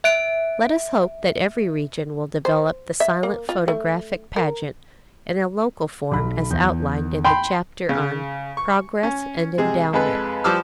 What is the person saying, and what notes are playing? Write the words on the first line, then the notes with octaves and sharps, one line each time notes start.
Let us hope that every region will develop the silent photographic pageant in a local form as outlined in the chapter on Progress and Endowment.
E5 F#6 D7
C5
E5
A#3
F4
A3
A#4
B1 B5
E2 G6
G5 B5 C6
C#3
C#6
C#4
C3 G#3 G#4
F2 G#3 A4 B4
F3 G3 B4 D6 E6 F6